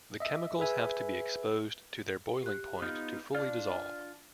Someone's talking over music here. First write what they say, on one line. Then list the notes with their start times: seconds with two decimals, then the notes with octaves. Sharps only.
The chemicals have to be exposed to their boiling point to fully dissolve.
0.20 D#5 E5
0.59 G#4 B4 E5 G#5
2.43 G4 F#6
2.82 B3 D#4 F4
3.35 D4 F4 D5